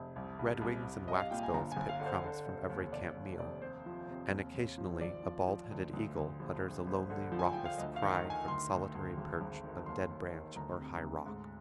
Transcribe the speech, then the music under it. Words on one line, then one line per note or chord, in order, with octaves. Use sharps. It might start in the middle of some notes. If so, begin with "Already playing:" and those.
Redwings and waxbills pick crumbs from every camp meal; and occasionally a bald-headed eagle utters a lonely raucous cry from solitary perch of dead branch or high rock.
Already playing: F1
C2
C2
C2
C2
C2 D#5
F5
A#2 G5
G#5
G1 A#5
G#5
G1
F5
D3
C5
D3
F1
D#2
F1 D5
D#2
F1 D5
C3 C5
F3
C3
D#2
D#2
F3
C5
G#1 D5
F3
F3
D2
D2
D2
A#1
A#1
A#1
D3
F3
G#5
F3 G5
F5
D2 D#5
F5
D#3
D#3
G#5
D2 C6
D2
D2
G#1
G#1
D#3
D#2 C6
D#2
D#3
D2 A#5
C3
D2
G#2